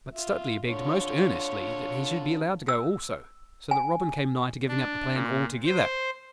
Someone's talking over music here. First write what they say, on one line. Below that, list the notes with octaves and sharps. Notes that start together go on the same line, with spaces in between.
But Stuteley begged most earnestly that he should be allowed to go also, so that Robin came nigh to giving up the plan all together.
F4 E5
D3 F4 C#5
E6
G#5
D4
A#2
C5